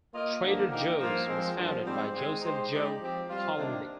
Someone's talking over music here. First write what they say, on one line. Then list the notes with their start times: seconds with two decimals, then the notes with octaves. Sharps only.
Trader Joe's was founded by Joseph "Joe" Coulombe.
0.12 A#3 F4 A#4 D#5
0.40 G2 D3 F3 A#3
0.70 D#3 A#3 D#4 G4 A#4
0.98 G2 F3 A#3 F4
1.26 F3 G#3 C4
1.55 G2 D3 F3 A#3
1.84 G#2 G3 C4 G4
2.12 D#3 G#3 C4
2.41 G#3 D#4 G4 C5
2.70 G#3 D#4 G4 D5
2.98 F3 C4 G4
3.27 G3 C4 F4
3.55 C3 D#3 A#3 D4